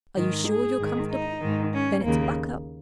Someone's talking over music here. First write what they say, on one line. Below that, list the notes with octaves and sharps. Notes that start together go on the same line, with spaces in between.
Are you sure you're comfortable?' Then it's 'Buck up!
G#2 D#3
G#4
G#2 D#3
D#4
G#2 D#3
C#4
D#2 C#3 A#3